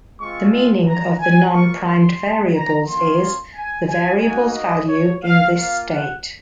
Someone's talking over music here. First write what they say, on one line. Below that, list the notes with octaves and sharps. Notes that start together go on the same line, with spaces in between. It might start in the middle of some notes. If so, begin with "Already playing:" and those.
The meaning of the non-primed variables is "the variable's value in this state".
G#3 C4 F4 C#6
A#5
G#5
A#3 F4 C#6
C6
A#5
A#3 C#4 F4 C6
G#5
G#5
A#3 D#4 F#4 G#5
D#5
C#5
F5
A#3 F4 F5
F#5